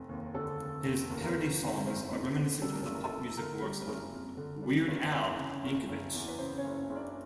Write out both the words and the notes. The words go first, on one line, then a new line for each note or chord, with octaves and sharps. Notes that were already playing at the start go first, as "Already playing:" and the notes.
His parody songs are reminiscent of the pop music works of "Weird Al" Yankovic.
Already playing: F1
D#2
D3 A4
F1
F1
D#2 A#4
A#4
B3 B4
D3
F1
C4 C5
F#1 C4 C5
F2 B3 B4
D3 B3 B4
G3 A4
A#4
F#1 A4
A#4
A4
F2
D3 A#4
G3
F#1
F2
D3
G3
F#1 B3 B4
E2
C#3
F#1
F#1
E2
B4
C#3 C4 C5
C#4 C#5
F#1
C#4 C#5
F#1
D4 D5